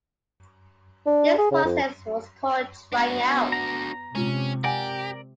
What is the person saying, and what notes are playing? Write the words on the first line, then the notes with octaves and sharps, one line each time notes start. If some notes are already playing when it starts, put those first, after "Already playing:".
This process was called "trying out".
D4
G#4
C#3
F2
B3 D4 F#4
A#5
C3 G#3 C#4 F4
G4 A#4 D5 F#5 G#5